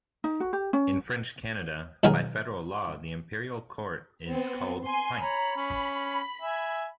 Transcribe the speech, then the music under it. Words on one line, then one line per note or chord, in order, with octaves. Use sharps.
In French Canada, by federal law, the imperial quart is called pinte.
D#4
F#4
G4
C#4
B2 D#3 F#3 G#4 A#4
B3 C4
G#5 C6
C#5 A#5 B5
C#4
E5 G#5